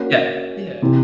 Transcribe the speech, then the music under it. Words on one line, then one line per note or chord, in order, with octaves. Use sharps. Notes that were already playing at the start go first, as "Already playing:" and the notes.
Yeah, yeah.
Already playing: A#3 C#4 F#4 A#4 C#5
C3 E3